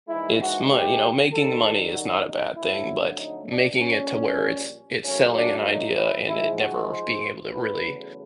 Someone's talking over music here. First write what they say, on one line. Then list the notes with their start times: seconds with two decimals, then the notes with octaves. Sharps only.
it's mon you know, making money is not a bad thing, but, making it to where it's it's selling an idea, and it never being able to really
0.08 A#1 G#2 E3 G#3 E4
0.40 F#4
0.70 G4
1.32 F#2 D#3 G3 A4
1.94 F#4
2.26 D#4
2.56 F2 D3 F#3 A3 E4
3.17 D#4
3.48 D4
3.79 A#1 A#2 G3 C#4
5.03 G#1 F#2 C#3 F#3 A3 C#4
5.35 D4
5.65 D#4
5.96 E4
6.27 G#2 F3 G#3 E4
6.59 F#4
6.89 C5
7.51 E2 C#3 F#3 A3 B4